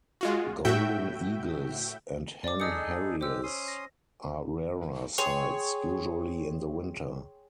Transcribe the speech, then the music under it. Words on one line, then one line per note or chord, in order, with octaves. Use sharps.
Golden eagles and hen harriers are rarer sights, usually in the winter.
G#3 F4 F#4
A2 F#4 E5 G5 G6
D5 D6
D#4 G#4 A4 D#5 D#6 C#7
G#3 G4 C5 E6
C#4 C6 D#6
A#6
G#4 C#5 G5 C6